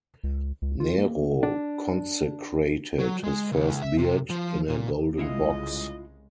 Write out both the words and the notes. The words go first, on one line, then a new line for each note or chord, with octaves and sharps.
Nero consecrated his first beard in a golden box.
C#2
C#2
F4
A#3
D4
F#3
G#3
C#2
E5
C3
F3
A#2
C2 C#3 G#3 E4 F4 D#5 F#5